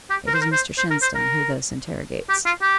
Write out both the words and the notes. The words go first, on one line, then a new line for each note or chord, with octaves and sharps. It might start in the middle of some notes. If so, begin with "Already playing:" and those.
It is Mr Shenstone who thus interrogates.
G4
A#4
C5
A#4
C5
C5
A#4
C5
A#4
G4
F4
G4